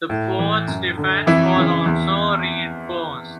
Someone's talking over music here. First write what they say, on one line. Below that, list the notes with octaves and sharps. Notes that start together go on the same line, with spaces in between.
The fort's defense was also reinforced.
A2
E3
F#2
D3
F2 E3 E4
C#3 E3
E2